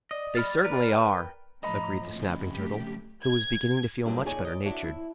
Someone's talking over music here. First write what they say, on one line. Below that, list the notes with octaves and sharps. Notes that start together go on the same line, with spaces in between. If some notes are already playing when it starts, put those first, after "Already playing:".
"They certainly are," agreed the Snapping Turtle, who was beginning to feel much better natured.
D5 D#5
B5 F6 A6
A#4 B4
G5
A2 F3 D#5 A#5 B5
F2 C#3
G3 A3 G4
G#6
G2 F3 F#3 A#3 D4
A#2 D#4 G#4 C#5 D5 G#5
D5 D#5
D4 E4 F#4 A5
E4